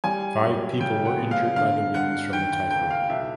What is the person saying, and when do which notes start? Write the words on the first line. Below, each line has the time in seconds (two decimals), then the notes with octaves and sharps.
Five people were injured by the winds from the typhoon.
0.04 G3 G#5
0.42 F#2
0.80 C#3 G5
1.05 F#5
1.19 B3
1.31 F5
1.56 D3 F5
1.94 D3 F#5
2.33 D#3 G5
2.52 G5
2.71 C#2 G5
2.90 F5
3.09 B1 E5